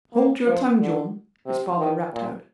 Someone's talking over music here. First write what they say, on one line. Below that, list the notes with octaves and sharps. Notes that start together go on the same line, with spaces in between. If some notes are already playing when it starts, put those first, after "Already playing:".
"Hold your tongue, John," his father rapped out.
A#3
F3
D3
C3
D#3
A#2